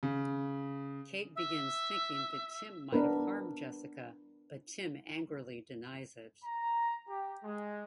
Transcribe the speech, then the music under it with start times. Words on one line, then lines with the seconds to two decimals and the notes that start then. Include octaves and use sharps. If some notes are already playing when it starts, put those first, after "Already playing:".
Kate begins thinking that Tim might've harmed Jessica; but Tim angrily denies it.
0.03 C#3
1.36 E5
2.92 B3 D4 A#4 B4
6.44 A#5
7.08 G4
7.43 G#3